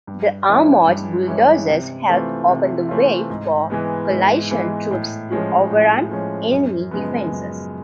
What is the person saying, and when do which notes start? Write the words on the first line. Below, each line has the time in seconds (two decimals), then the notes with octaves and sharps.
The armored bulldozers helped open the way for coalition troops to overrun enemy defenses.
0.07 G2
0.48 E3 G#3 C#4 E4
0.87 G2
1.28 E3 G#3 C#4 E4
1.68 C3
2.09 E3 A3 C4 F4
2.48 C3
2.89 E3 A3 C4 F4
3.30 G#2
3.70 E3 G#3 B3
4.11 G#2
4.51 E3 G#3 B3
4.91 A2
5.31 F3 G#3 C#4
5.71 A2
6.11 F3 G#3 C#4
6.52 F#2
6.91 C#3 F3 G#3 B3
7.32 F#2